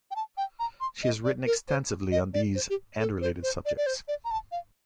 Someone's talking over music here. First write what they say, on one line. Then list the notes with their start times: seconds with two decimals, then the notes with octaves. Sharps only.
She has written extensively on these and related subjects.
0.11 G5
0.16 A5
0.37 G5
0.59 A#5
0.81 C6
1.03 D#5
1.24 D5
1.46 A#4
1.69 C5
2.12 D#5
2.34 D5
2.55 C5
2.70 G4
3.00 A4
3.21 C5
3.43 C5
3.65 D5
3.77 D5
3.86 C5
4.08 D5
4.25 A#5
4.31 A5
4.52 F5